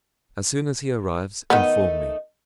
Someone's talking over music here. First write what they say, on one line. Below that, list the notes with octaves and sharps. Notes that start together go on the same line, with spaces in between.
As soon as he arrives inform me.
D#3 A3 B3 D#4 D#5